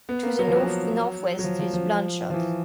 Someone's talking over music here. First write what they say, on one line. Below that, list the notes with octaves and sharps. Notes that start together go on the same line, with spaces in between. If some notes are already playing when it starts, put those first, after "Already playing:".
To the north-northwest is Blanchard.
B3
A#3
F#3
F3
F#3
F#3
F3
F3
F3
F3
E3